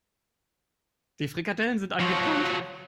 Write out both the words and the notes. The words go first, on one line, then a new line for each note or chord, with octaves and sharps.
Die Frikadellen sind angebrannt.
F3 F#3